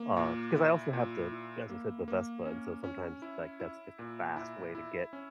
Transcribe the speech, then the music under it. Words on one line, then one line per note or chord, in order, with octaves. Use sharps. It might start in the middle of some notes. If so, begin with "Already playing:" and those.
uh 'cause I also have to, as I said, the Vespa, and so sometimes, like, that's just a fast way to get,
Already playing: A#3
A#2
E4
A#2
E4
A#3
A#3
C#4
C#4
E4
E4
A#2
E4
E4
C#4